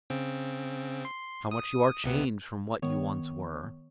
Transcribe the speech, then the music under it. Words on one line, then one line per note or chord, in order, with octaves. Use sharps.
How much you are changed from what you once were!
C#3 C4
C6
D#6
C#2 C3 B3
D#3 B3 C#5 C#6